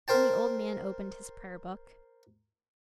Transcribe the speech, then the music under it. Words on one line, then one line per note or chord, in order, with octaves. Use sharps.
And the old man opened his Prayer-Book.
A#4 C5 G5 A5